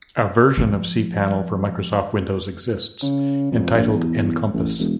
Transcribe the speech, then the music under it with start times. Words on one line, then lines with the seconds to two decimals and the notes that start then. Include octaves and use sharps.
A version of cPanel for Microsoft Windows exists, titled Enkompass.
0.57 F3 C4
3.02 C#3
3.51 F2
3.74 A#1
3.94 E2
4.54 A1
4.79 E1